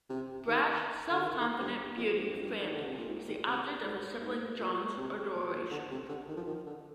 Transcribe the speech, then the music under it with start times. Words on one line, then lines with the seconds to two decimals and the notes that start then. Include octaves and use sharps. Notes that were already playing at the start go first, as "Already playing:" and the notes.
Brash, self-confident beauty Franny, is the object of her sibling John's adoration.
0.09 C3
0.47 D#3
1.11 D3
1.22 D#3
1.40 D#3
1.60 G2
1.97 F2
2.16 G#2
2.24 G2
2.32 F2
2.39 G2
2.63 D#3
2.73 D3
2.86 C3
2.98 A#2
3.09 G#2
3.28 D#3
3.46 C3
3.84 G#2
4.22 G#2
4.60 A#2
4.97 C3
5.34 A#2
5.52 A#2
5.71 D3
5.91 C3
6.09 D3
6.28 D#3
6.37 F3
6.47 D#3
6.66 D3